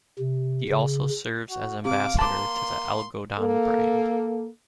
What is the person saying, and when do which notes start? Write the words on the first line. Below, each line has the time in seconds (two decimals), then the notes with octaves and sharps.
He also serves as Ambassador to the "Algodon" brand.
0.19 C3
0.69 C#3
1.51 F#4
1.85 C3 F5 D6
2.19 A#3 A5 C6 D6
3.39 A#3 A4